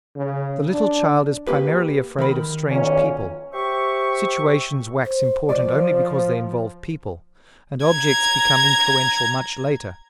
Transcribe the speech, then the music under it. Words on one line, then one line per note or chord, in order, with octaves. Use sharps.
The little child is primarily afraid of strange people; situations wax important only because they involve people, and objects become influential much later.
C#3
D4
A#3 G4 B4
D#3 A#4 B5
B1 A#2 C#4
G4 C5 E5 C#6
C5
F3 C5 D5
A#5 G#6